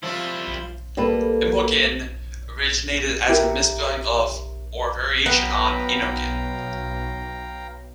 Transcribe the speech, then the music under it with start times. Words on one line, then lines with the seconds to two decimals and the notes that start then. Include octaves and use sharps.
Imogen originated as a misspelling of, or variation on, Innogen.
0.03 F3 G3 E4 F4
0.97 G3 A#3 A4 B4
3.28 E4 G4 A#4
5.26 B1 B3 F5 G5 A#5